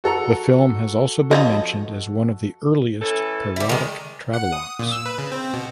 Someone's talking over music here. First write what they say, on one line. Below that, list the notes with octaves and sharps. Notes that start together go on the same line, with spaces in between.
The film has also been mentioned as one of the earliest parodic travelogues.
F#4 A4 A#5
F3 C#5 D#5
E3 C#4 A4
G3 E4
D#3 G#3
F#5
D#6
A#2
E6
B4
C#3
C4
B2